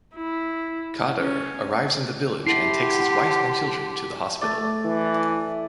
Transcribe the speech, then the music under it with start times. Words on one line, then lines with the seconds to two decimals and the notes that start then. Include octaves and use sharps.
Qader arrives in the village and takes his wife and children to the hospital.
0.14 E4
1.18 C#4
2.47 E4 G4 F#5 A5 C6 C7
4.42 A3 D5
4.85 E3